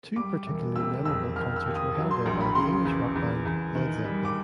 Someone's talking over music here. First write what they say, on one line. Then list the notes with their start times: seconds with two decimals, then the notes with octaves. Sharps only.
Two particularly memorable concerts were held there by the English rock band Led Zeppelin.
0.16 G3 D6
0.47 E1
0.76 C3 E6
1.05 F2 E6
1.36 D#2 F6
1.56 E6
1.66 D#2
1.76 D#6
1.96 F#3
2.11 C6
2.26 A#1 A#5
2.41 B5
2.55 C#3 C6
2.85 E2
3.16 E2
3.46 E2
3.75 D#3
4.04 G3
4.25 D6